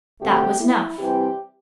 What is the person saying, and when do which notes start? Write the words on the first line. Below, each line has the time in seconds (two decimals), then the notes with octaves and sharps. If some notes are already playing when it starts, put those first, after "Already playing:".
That was enough.
0.21 D2 D3 A3 C4 G4
0.60 E4
0.99 C3 E3 G3 C4 G4